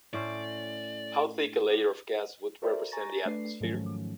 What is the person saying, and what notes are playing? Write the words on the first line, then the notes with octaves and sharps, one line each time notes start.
How thick a layer of gas would represent the atmosphere?
A2 C#4 C5 D5
F#4 A4 A#4 C5 D5 E5
G#5 A#5 C#6 A6 A#6
A3 D4 B4 D5 C7
G#2 D#3 F3 F#3 A3 C#4